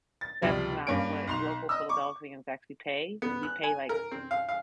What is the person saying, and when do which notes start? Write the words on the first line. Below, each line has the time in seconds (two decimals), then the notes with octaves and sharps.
That's not what local Philadelphians actually pay. We pay, like,
0.21 A6
0.42 C#2 C3 F3 G3
0.87 G2 A#3 C#4 D7
1.27 B1 C6 F7
1.69 D#5 E6
1.89 C#6 D6
3.22 B3
3.43 F#6
3.63 G#5
3.89 A#4
4.11 C4
4.31 F5
4.49 F5